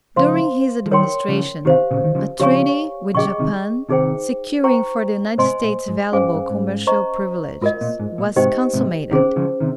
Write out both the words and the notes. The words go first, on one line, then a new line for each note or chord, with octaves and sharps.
During his administration a treaty with Japan, securing for the United States valuable commercial privileges, was consummated.
C#3 F3 C5 F5 C6
F3
D#3 G3 A#4 C#5 G5 C6
C#3 F3
C3 D#3 G4 C5 F5
A#2 C#3
D#3
C#3 F3
C#3 F3 G4 C#5 F5 G#5 C#6
A#2 C#3 G#4 D#5 G5 C#6
C3 D#3
C3 D#3 D#4 G#4 C5 G5
C5 G5 A#5 C#6
G#2 C3 C5 D#5 G#5 C6
A#2
G#2
G2 C#4 G#4 C5 F5 G#5
G2
G#2
C5 D#5 A#5 C#6
G#2 F4 A#4 D#5
A#2
G#2
A#2
G#2 C3 D#4 G4 C5 D#5 G5
G#2 C3
C3 D#3 C#4 G#4 C5
C#3 F3
C3 D#3